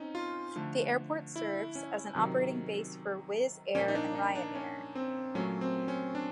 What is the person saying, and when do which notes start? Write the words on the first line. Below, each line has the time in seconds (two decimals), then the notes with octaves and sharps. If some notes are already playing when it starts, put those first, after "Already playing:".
The airport serves as an operating base for Wizz Air and Ryanair.
Already playing: C4 C#4 D#4
0.15 F4
0.56 D3 F3 A3
1.36 E4
1.75 C#4
2.15 C3 D#3 F#3
3.75 A#2 F3 A#3 C#4
3.88 D#4
3.95 D4
4.15 D#4
4.35 D4
4.55 C#4
4.95 C4
5.35 A#2 F#3 A3 C#4
5.61 C4
5.88 C#4
6.15 D4